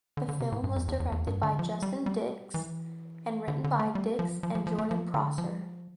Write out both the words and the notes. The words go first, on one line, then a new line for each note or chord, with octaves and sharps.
The film was directed by Justin Dix and written by Dix and Jordan Prosser.
D3
D3
C3
A2
G2
F2
E2
E2
E2
G2
D3
F3
G3
G3
E3
D3
D3
A3
G3
F3
F3
F3
F3
A3
F3
D3
F3